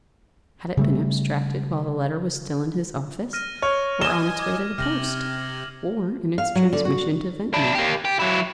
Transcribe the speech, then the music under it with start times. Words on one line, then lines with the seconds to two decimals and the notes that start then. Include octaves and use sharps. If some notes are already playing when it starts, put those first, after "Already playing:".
Had it been abstracted while the letter was still in his office?--or on its way to the post?--or in its transmission to Ventnor?
0.77 C#3 G3 A3
3.33 F6 A#6 D#7
3.62 C#5 F6
4.01 D#5 G#5 E7 G7
4.39 D6 G#6
4.78 C3 F6 A#6 F#7
6.38 F5
6.56 F#3
6.73 D3
6.85 F#4
7.54 D4 E4
7.75 A#3 G4
8.05 G4
8.19 F#3 E4